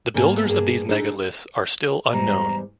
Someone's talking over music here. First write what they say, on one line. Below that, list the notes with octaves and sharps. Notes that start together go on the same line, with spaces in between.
The builders of these megaliths are still unknown.
G#2 A#3 B3 G#5 A5
G2 A#3 G#4 A5
D4 D#4 G#4 A4
E2 G#2 G3 A#5